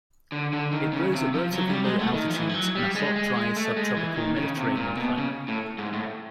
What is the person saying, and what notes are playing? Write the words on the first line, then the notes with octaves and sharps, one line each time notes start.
It grows at relatively low altitudes in a hot, dry subtropical Mediterranean climate.
D3
D3
D#3
C#3
C3
F3
F#3
G3
G#3
A3
D#3
F3
E3
F3
F#3
G3
G#3
G#3
G#3
A3
G#3
E3
D#3
C#3
C3
A#2
B2
C#3
A2
G#2
A2